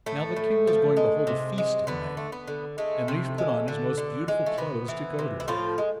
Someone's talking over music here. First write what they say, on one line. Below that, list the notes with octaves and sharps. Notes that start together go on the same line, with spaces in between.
Now the king was going to hold a feast at night, and Leif put on his most beautiful clothes to go to it.
A2 A3
A2
F3
G#3
C3
G#3
D3 B3
A3
B3
D3
G#3 A3
C3
G#3
D3
D3
G#3
A3
C3 B3
E3
C3
E4
A2 F3 F4
G#3